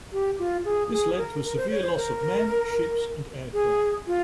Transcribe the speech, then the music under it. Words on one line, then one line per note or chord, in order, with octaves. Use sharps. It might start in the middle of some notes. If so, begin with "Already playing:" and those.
This led to a severe loss of men, ships, and aircraft.
G4
F4
G#4
G#4
A#4
A#4
C5
C#5
C5
A#4
G#4
F4